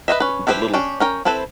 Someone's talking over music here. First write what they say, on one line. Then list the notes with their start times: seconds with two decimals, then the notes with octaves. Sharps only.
the little
0.08 B4 C5 D#5 E5
0.20 C#4 B4
0.47 D4 E4 G4 B4 C5
0.73 C#4 D4 G4 G5
1.00 C#4 A#4 G5
1.25 C4 E4 A4 B4 C5